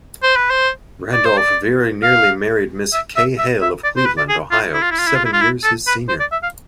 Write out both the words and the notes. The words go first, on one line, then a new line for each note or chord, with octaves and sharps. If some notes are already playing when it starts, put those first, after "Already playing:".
Randolph very nearly married Miss Kay Halle of Cleveland, Ohio, seven years his senior.
C5
B4
C5
D5
C5
D5
F5
E5
E5
E5
E5
D5
C5
B4
D5
G#4
F4
E4
F4
E4
F4
E4
F4
E4
F4
E4
A4
B4
C5
D5
E5
F5